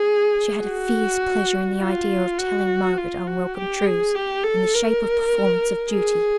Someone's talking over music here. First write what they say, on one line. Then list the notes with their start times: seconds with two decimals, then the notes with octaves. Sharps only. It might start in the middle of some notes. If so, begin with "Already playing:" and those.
She had a fierce pleasure in the idea of telling Margaret unwelcome truths, in the shape of performance of duty.
Already playing: G#4
0.63 F#4
1.81 F4
2.39 F#4
2.98 F4
3.27 F#4
3.57 G4
3.86 G#4
4.15 G4
4.44 A4
4.74 A#4
5.91 G#4